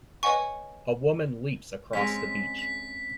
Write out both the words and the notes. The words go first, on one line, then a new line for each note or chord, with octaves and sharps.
A woman leaps across the beach.
B4 C#5 D#5 F#5 G#5 C#6
G#3 C4 C#4 B6
B6